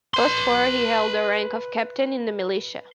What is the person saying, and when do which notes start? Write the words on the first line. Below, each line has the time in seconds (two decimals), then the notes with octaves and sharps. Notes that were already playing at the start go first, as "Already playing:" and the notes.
Post-war he held the rank of captain in the Militia.
0.14 B4 C6